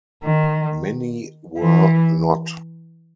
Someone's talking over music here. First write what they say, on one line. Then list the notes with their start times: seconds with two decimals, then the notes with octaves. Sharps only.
Many were not.
0.23 D#3
1.59 E3